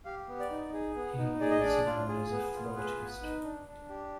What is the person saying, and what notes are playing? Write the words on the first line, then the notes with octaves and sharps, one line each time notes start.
He is known as a flautist.
G4 F5
B3
D5
D#4
G#4
B3
D#4
G#4 D5
D#5
D4 D5
F4
G#4
B3
F4
G#4 B4
B3
D#4
D4
D4
G4